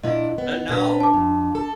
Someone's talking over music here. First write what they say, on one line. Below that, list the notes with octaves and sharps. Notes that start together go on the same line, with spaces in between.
"And now
A#2 D4 E4 D#5
B3
A#2 D4 A4 B4
A5 D6
F2
A4